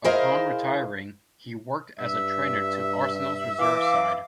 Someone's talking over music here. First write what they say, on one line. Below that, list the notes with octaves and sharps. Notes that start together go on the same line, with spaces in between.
Upon retiring he worked as a trainer to Arsenal's reserve side.
E4 G#4 A#4 C5 D#5 F5
G2 E5
E3 F5 D6